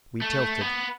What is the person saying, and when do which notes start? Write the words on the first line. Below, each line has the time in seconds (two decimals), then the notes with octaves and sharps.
We tilted.
0.22 A3
0.61 B3